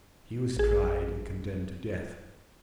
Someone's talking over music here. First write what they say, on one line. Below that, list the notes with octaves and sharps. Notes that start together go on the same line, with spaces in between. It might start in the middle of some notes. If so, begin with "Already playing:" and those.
He was tried and condemned to death.
A1 G#4